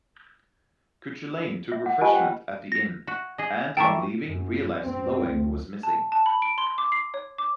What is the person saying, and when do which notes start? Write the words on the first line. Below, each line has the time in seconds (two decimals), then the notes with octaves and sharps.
Cuchulainn took refreshment at the inn and on leaving realised Loeg was missing.
1.72 E5
1.86 F#5
2.01 F4 G4 D#5 G#5 A5
2.13 C5 F#5 G5
2.72 A#6
3.07 F#4
3.38 G#4 D#5
3.77 E3 A#3 A4 G5 C#6
4.24 F#2
4.83 C4
5.26 D2
5.83 A5
6.12 A5
6.26 B5
6.42 D7
6.58 C6
6.78 D6
6.92 C7
7.14 C#5
7.38 D6